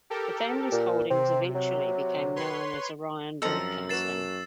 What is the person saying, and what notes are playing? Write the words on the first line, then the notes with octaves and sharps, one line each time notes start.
The family's holdings eventually became known as Orion Broadcasting.
G4 A4 A#4
A#2
C3 C4
F#3
B4 C#5 C6
F#2 F3 C4 A4 D#5 A#5 E6
E3 A#3 F#4 A6 C7 E7